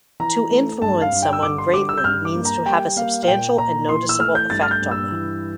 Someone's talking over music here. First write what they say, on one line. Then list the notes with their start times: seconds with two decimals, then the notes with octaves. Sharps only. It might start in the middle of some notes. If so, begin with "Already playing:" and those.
To influence someone greatly means to have a substantial and noticeable effect on them.
0.20 E3 A#5
0.51 A3
0.82 G2 A5
1.02 F5
1.12 G2
1.22 G5
1.33 E6
1.43 D3 D6
1.58 C6
1.73 G3 D6
1.89 E6
1.98 G6
2.04 G2 F6
2.25 D6
2.35 A#3
2.45 A#5
2.66 G3 G5
2.96 A#3 F5
3.23 F5
3.27 A#2 G5
3.58 A#2 A#5
3.89 E3 C6
4.09 E6
4.20 A3 F6
4.35 G6
4.50 G2 A6
4.63 F6
4.71 G6
4.82 G2
4.91 E6
5.12 E3